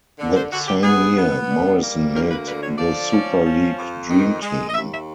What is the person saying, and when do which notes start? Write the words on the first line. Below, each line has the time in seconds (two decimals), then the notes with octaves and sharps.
That same year, Morrison made the Super League Dream Team.
0.19 D3
0.35 C5
0.51 D3 F#4
0.67 G4
0.83 B3 G#4
1.16 B3
1.49 G3
1.82 A#3
2.14 D2 A#4
2.31 B4
2.47 D3 B4
2.63 C#5
2.79 F3 D5
3.12 C#4
3.44 F3
3.77 F2
4.10 D#3
4.42 G#3
4.69 D#5
4.74 D#2 E5
4.92 E5